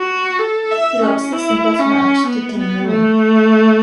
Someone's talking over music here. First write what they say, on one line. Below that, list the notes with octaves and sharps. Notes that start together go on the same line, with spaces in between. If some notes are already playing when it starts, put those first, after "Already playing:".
He lost his singles match to Tim Woon.
Already playing: F#4
A4
E5
C#4
E4
C#4
B3
B3
A3